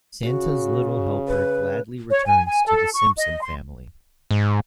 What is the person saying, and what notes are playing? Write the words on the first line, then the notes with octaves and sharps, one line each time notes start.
Santa's Little Helper gladly returns to the Simpson family.
C#3 F#4
B4
C#5
G#5
G#5
A4
C#6
D#5
C6
G#2